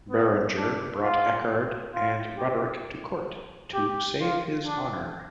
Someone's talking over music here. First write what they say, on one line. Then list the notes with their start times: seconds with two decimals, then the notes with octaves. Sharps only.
Beringer brought Eckert and Roderick to court, to "save his honor".
0.10 B3
0.57 D4
1.02 F4
1.93 F4
2.38 G4
3.74 G4
4.20 F4
4.66 D4